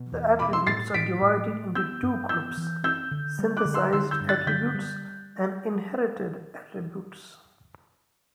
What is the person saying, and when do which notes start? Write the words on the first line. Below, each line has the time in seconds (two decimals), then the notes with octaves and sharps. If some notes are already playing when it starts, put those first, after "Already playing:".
The attributes are divided into two groups: "synthesized" attributes and "inherited" attributes.
Already playing: B2
0.12 E2
0.39 B2 B5 D6
0.53 C6 E6
0.67 A2 A6 C7
0.94 A2 B6 D7
1.22 A2
1.48 A3
1.75 B3 E6 G6
2.03 G2
2.29 B3 E6 G6
2.57 E3
2.84 C4 E6 G6
3.11 D3
3.39 G3
3.57 D6 F#6
3.65 D3
3.74 C6 E6
3.93 D3 C6 E6
4.11 E6 G6
4.20 G2
4.29 F#6 A6
4.47 D3 G6 B6
4.75 G3